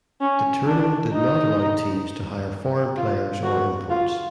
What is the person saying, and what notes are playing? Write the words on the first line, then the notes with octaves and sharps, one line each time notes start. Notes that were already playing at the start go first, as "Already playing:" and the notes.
The tournament did not allow teams to hire foreign players or imports.
C#4
D4
D#4
F4
F#4
F4